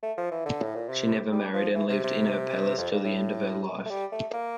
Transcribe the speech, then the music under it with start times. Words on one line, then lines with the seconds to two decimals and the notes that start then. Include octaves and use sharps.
She never married and lived in her palace till the end of her life.
0.02 A3
0.18 F3
0.31 E3
0.46 D3
0.62 A2
0.75 A#2
0.89 C3
1.32 G3
1.53 F3
1.74 E3
1.90 C3
2.04 C3
2.77 F2
2.91 G2
3.04 A2
3.86 A3
3.90 G3
4.12 A3
4.33 A#3